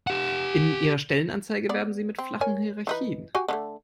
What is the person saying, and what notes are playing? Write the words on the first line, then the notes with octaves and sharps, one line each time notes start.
In Ihrer Stellenanzeige werben Sie mit flachen Hierarchien.
G4 F#5
B3 D5
C4
A#4 C#5 G#5
E3 D#4 B4
F#4 G4 G#5
D3 F3 A3